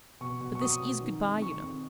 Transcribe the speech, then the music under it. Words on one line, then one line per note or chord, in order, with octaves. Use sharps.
But this IS good-bye, you know.
B2 C#6
B2
C#6
F#3 D#6
B2
D#3
F2
D#3 C#6
F2